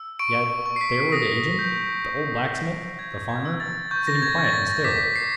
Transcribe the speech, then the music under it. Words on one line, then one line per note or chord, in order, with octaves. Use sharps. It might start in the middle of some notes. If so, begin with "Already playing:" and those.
Yet there were the agent, the old blacksmith, the farmer, sitting quiet and still.
Already playing: E6
C#6 D7
C#6
C7
B6
D#6 A#6
G6
D#6
G6
G6 G#6
G#6
E6
A6
C#6 G6
A#6
A6
G#6
C#6
A6
A#6
D6 B6
C7